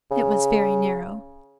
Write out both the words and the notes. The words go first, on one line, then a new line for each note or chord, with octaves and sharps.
It was very narrow.
C#3